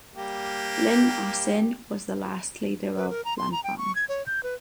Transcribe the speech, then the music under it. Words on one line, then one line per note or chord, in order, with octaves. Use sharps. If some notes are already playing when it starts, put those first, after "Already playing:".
Lin Ah Sin was the last leader of Lanfang.
G3 A#3 G4
B4
A#4
A#5
C6
A#5
G5
C#6
G#6
C#5
G6
B4